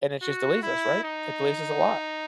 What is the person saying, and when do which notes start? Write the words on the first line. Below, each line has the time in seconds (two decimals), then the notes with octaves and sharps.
and it just delays us, right? It delays us a lot,
0.22 F#4
0.63 E4
1.04 D#4